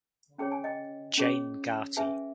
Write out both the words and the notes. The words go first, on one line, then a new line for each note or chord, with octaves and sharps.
Jane Ghartey.
C#4 G#4 C#5 G5
G#5
D#5 G5
C#4 G#4 C#5
C#4 G#4 B4 E5 G#5